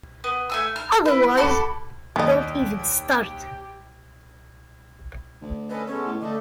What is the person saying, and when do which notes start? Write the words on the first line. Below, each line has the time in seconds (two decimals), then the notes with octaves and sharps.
Otherwise, don't even start.
0.24 B3
0.50 A3 G#5 E6
0.76 F6
1.05 E4 B4
1.37 F#4 A4 B5 D6
2.16 D#2 G3 G4 D#5
5.41 D2
5.70 C#4 A4 B4 D#5
5.87 G#3 B3 C#4 A4
6.06 A2
6.21 D3 A3 A4 D#5